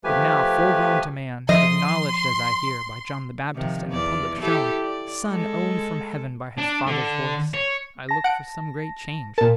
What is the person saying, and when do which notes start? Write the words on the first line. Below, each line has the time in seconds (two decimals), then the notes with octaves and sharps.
But now, Full grown to man, acknowledged, as I hear, By John the Baptist, and in public shewn, Son owned from Heaven by his Father's voice, I looked for some great change.
0.04 F3 A3 G4 B4 G#5
1.49 F3 D#5 C6
3.55 C3 D#3 F3
3.90 E2 D5
4.40 E4 G4 A4
4.82 D5
5.26 G#3 A4
6.58 D4
6.87 D3
7.54 C#5
8.09 A5 A#6
8.24 F#5 D7
9.38 A#2 A#4 A5